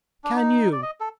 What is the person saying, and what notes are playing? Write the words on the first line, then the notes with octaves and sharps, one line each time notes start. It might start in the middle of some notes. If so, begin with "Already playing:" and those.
"Can you?"
D4
D#4
D5
D#5
A4